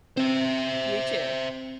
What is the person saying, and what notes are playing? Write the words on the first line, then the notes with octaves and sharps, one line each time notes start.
You too.
C4 C5 E5